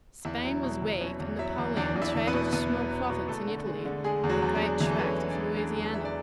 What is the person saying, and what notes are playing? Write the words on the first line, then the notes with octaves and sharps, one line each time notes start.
Spain was weak, and Napoleon traded a small province in Italy for the great tract of Louisiana.
E2 E4 E5
F#3
B2
E2
B2 C#4 C#5
E2
F#3 E4 E5
E2
E2 D4 D5
E2
E4 E5
E2
B3 B4
B2
E2 B3 B4
F#3
F#3
B2
E2 A3 A4
D3
G#3
D3
G#3 G#4
E2
F#3 F#4
E2
D4
G#3
E2 E3 E4
A4
G#3 B4
C#4 C#5
G#3
D4 D5
G#3
G#3 D4 D5
E2
G#3 E5
D5